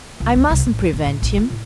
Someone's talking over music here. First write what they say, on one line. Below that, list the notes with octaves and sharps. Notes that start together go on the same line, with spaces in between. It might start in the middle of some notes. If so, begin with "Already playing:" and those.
I mustn't prevent him.
C#2
D2
C2
A1
D2
D#1
A2
A#1
F4
A2